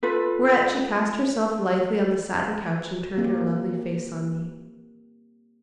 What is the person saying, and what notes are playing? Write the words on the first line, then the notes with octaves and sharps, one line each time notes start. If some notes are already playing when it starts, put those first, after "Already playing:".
Whereat she cast herself lithely on the satin couch and turned her lovely face on me.
F4 A4 B4
A#3 C4 G4